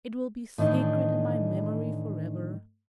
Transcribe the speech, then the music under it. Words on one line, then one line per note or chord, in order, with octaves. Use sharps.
It will be sacred in my memory forever.
A2 D#3 E3 D4 D#4